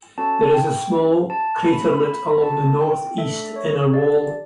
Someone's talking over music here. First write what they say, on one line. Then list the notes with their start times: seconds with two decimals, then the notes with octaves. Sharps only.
There is a small craterlet along the northeast inner wall.
0.18 C#4 F#4 A4 A5
0.54 G5
0.92 C#4 G4
1.30 A5
1.68 A3 C#4 F#4 B5
2.05 B5
2.43 C#4 F#4 A4 A5
2.81 G5
3.18 A3 D4 A4 E5
3.56 C#5
3.93 D4 G4 D5